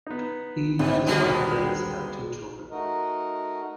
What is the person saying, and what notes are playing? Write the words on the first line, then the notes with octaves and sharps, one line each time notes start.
He and his wife Liz have two children.
B3 D#4
G#1 D3 D#3 C4
D#2 D3 G3 G#3 B3 D#4 F#4 A5
A3 D#4 F#4 A#4 D#5